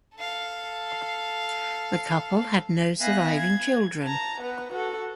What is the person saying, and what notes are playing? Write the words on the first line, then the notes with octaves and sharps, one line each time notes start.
The couple had no surviving children.
A4 F5
B3 E5 F5 G#5 F#6 A#6
G#6
A5 A#5
B3 B4
F#4 A4